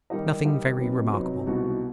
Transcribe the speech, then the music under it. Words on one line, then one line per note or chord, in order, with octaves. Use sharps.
Nothing very remarkable.
D#3 G3 D#4 G4 D#5
D#3 G3 D#4 G4 D#5
C3 F#3 B3 D#4
C3 F#3 B3 D#4
C2 B2 G3 D#4 F#4